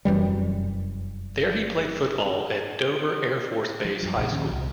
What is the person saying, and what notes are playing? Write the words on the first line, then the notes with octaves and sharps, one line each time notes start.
There he played football at Dover Air Force Base High School.
F1 F#2 E3 G3
F3
G2 F#3
A#1 E2 A#2 C#3
A#2 D#3 C#4
C2